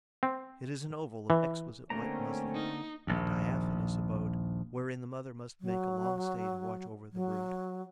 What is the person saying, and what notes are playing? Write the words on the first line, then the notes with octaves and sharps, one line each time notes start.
It is an oval of exquisite white muslin, a diaphanous abode wherein the mother must make a long stay to watch over the brood.
C4
E3
D3 A3 A#3 C4 C#4 A#5
D#4
A#1 D#2
F#3
F#3